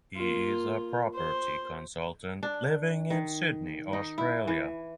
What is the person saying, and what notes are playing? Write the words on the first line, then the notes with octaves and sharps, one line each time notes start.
He is a property consultant living in Sydney, Australia.
A#3 F4
C5
D4
D#3
D#4
E4
E3